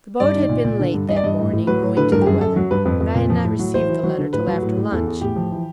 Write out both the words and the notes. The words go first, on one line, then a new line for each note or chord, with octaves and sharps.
The boat had been late that morning, owing to the weather, and I had not received the letter till after lunch.
G2 D5
D#3
A#2
A#2
D3
G2
G2 D#5
D5
G2 D#5
A2
A2
F#3 B4
A2
D3 B4
G2 A#4
G4
F#2 G#4
F#2 A4
F#3
G2 B4
F2 B4
F2
A#2
F3
A2
F#3
E3 C5
E3
F#3
D3
A2 B4
F#3
A2
A2
E2 A4
E2
A2 G4
F3
E3